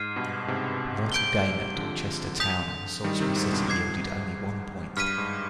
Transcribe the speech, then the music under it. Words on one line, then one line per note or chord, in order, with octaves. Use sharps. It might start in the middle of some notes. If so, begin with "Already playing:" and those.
Vital game at Dorchester Town and Salisbury City yielded only one point.
Already playing: G#2 F6 C7 D#7
G2 B2
G#2 C3
G6 D7 G7
D3 F3
D#6 G6 B6 F7
D#3 G3
C3 D#3
G#2 C3
G2 B2
G#2 D6 G#6 C7
G2 F6 B6 D#7
G#2